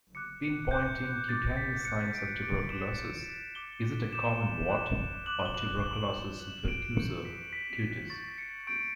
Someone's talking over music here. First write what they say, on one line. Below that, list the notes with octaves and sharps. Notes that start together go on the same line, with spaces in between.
Pinpointing cutaneous signs of tuberculosis: is it a common wart, or tuberculosis verrucosa cutis?
D6 F#6 C#7
C#7
D6 F#6 G6
D6 F#6 A6
B6
D6 F#6 C#7
D7
D6 G6 D7
E7
D6 G6
D6 G6 G7
D6 G6 E7
D6 F#6
D6 F#6 F#7
G7
F#7
D6 F#6
D6 F#6 E7
D7
C#6 G6 C#7
B6
C#6 G6 B6
B6
B6
C#6 G6 A6
B6
C#7
C#6 G6 D7